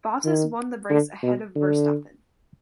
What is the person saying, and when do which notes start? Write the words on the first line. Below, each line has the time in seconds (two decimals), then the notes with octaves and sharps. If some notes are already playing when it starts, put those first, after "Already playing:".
Bottas won the race ahead of Verstappen.
0.25 D#3
0.90 D3
1.23 B2
1.56 D3